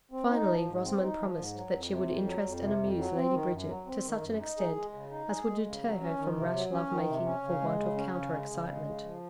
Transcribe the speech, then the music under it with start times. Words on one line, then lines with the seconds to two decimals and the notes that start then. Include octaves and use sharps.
Finally, Rosamond promised that she would interest and amuse Lady Bridget to such an extent as would deter her from rash love-making for want of counter excitement.
0.11 C4
0.30 D#4
0.48 F3
0.65 G#2
0.83 C4
1.01 D#4
1.19 F3
1.37 G#2
1.54 F#3
1.72 F2
1.90 C3
2.08 F2
2.26 F#3
2.44 F2
2.61 C3
2.80 F2
2.98 F#3
3.15 C4
3.33 D#3
3.51 F#2
3.69 F#3
3.86 C4
4.04 D#3
4.21 F#2
4.40 D#4
4.58 G#4
4.76 G#3
4.94 C#3
5.11 D#4
5.29 G#4
5.47 G#3
5.65 C#3
5.83 F#3
6.01 C#4
6.18 D#3
6.36 C3
6.54 F#3
6.72 C#4
6.90 D#3
7.08 C3
7.25 C#4
7.43 C#3
7.61 G#3
7.79 C#3
7.97 C#4
8.14 C#3
8.33 G#3
8.50 C#3
8.68 G#3
8.86 C#3
9.04 F3